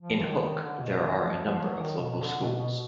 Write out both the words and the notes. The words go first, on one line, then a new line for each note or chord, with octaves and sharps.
In Hook, there are a number of local schools.
F3
D#3
D#3
D3
B2
D#3
F#3
F3
F3
F#3
D#3
B2
D3
B2
B2